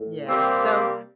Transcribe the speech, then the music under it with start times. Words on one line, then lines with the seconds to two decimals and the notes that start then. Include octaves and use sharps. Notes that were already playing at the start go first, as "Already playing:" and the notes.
Yeah, so,
Already playing: A2
0.27 C3 G3 A#3 C4